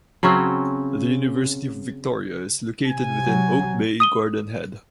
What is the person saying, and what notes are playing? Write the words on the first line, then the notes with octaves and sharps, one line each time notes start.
The University of Victoria is located within Oak Bay-Gordon Head.
C#3 F#3 C4 C#4
C3 G#5
F#3
D#6 D#7 G7